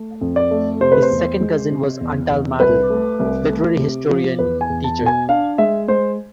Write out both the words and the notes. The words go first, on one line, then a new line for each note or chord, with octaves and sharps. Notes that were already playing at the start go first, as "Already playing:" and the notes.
His second cousin was Antal Mádl literary historian, teacher.
Already playing: A3
F2
D5
A3
C3 C5
B4
C5
E2
G#3
C3
E2
E2
C2 B4
A3
C2
A3
C3
F3
E2 B4
G#5
E2
A5
B2
G#5
D4 F5
G#3 E5
G#3 C5